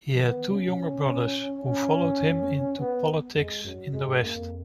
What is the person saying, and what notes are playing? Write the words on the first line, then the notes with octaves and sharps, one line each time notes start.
He had two younger brothers who followed him into politics in the West.
F3
D#3 B3
C#3 C#4
B2
A#2
B2 C#4
A#2
G#2
F#2
B3
F2 G#3
F#2 F#3
F#2 G#3
G#2
F#2 A#3
F2